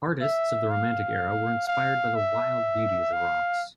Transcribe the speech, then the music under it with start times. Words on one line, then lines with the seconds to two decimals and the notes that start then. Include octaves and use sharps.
Artistis of the Romantic era were inspired by the wild beauty of the rocks.
0.22 E5
0.71 F5
1.67 F5
2.16 E5
3.13 F5